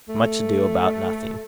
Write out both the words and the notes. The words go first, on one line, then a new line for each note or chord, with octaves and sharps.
Much Ado about Nothing.
A3